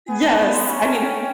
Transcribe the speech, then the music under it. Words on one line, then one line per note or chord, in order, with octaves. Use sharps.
Yes, I mean,
B3 G#5
A5
C6
C#4 B5
A#5
A5
G5
G5